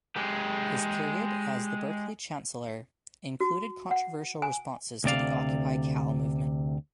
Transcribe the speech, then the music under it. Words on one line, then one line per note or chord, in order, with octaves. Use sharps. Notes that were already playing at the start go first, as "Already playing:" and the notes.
His period as the Berkeley chancellor included controversial responses to the Occupy Cal movement.
G#3 G4
F#4
F#5
G#5
D2 C3 D5 F5